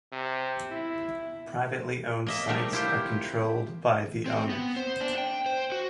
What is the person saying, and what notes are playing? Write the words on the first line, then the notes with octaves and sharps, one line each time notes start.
Privately owned sites are controlled by the owners.
C3
E4
A#3 D#5 E5
C3 G3 A3 A#4
E4 F4 G4
C4
B3
C5
D4
G5
C5
F#4